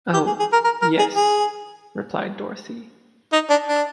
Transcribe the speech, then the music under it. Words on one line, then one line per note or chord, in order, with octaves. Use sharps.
"Oh, yes;" replied Dorothy.
G4
G#4
G#4
A#4
A#4
A#4
G#4
G#4
D#4
D4
D4